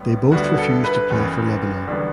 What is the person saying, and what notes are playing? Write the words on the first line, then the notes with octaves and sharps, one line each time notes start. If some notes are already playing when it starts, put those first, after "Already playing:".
They both refused to play for Lebanon.
Already playing: B1 A2 G3 B3
D2 D3 G3 B3 F#4
A4
B4
F#1 E2 C#3
E1 E2 D3 G3 B3